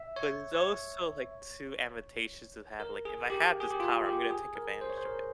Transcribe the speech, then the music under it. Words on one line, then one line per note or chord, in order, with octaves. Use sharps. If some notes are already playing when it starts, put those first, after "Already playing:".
But, it's also, like, too advantageous to have like if I had this power, I'm gonna take advantage of it.
Already playing: E5
C#5
C#5
A#4
G#4
G4
G#4
G4
F4
G4
G#4
A#4
C5
C#5
C5
A#4